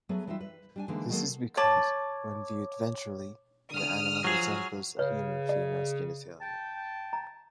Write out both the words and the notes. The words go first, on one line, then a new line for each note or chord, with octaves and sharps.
This is because, when viewed ventrally, the animal resembles a human female's genitalia.
F#3 A3 B3 G#4 B4
E3 G3 D#4 F4 E5
B4
G3 D4 G#5
D3 E3 G#3 A#3 D#4
D#3 F#3 G#3 A#3 D#4 A4
C#5 A5 D6
D3 D#6 F6
F3 F#3 G#4
C#3 B4 C#5
D5
G5 A5
A#5